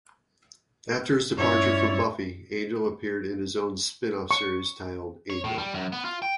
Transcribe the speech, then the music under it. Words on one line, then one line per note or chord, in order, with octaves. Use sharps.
After his departure from "Buffy", Angel appeared in his own spin-off series, titled "Angel".
G2 C#4 E4 F4 C#5 D5 C#6
C#6
C#5
A2
G3
F#2
B3
F4
G5